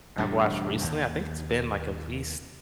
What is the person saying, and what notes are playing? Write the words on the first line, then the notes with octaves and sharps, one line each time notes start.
I've watched recently, I think it's been, like, at least
E1 D2 G3 D4
D#2